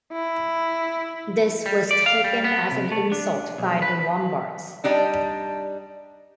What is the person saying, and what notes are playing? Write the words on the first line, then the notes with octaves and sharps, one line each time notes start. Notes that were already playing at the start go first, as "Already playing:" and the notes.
This was taken as an insult by the Lombards.
E4
G3
D5
F5
G3
B3
C3
A3
D4
B1
B4
G3 D4 D#4